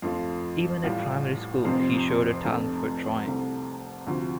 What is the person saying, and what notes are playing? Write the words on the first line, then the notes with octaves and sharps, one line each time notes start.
Even at primary school he showed a talent for drawing.
F2 F3 A3 F4
A1 A2 G3 F4
F1 F2 C3 F3 C4
F1 F2 C3 A3
C2 C3 A3
D2 C3 F3